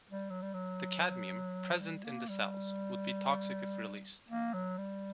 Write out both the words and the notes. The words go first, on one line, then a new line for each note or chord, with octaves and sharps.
The cadmium present in the cells would be toxic if released.
G3
F#3
G3
F#3
G3
A#3
G3
A#3
F#3
G3